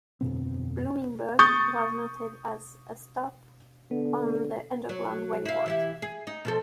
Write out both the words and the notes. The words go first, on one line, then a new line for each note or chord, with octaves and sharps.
Bloomingburg was noted as a "stop" on the Underground Railroad.
G1 F2 B2 C4
C#6 D#6 G6 A6
D3 B3
F#3
E4 F5
E3 E4 G4
G#4
D#4
B2 F3 A4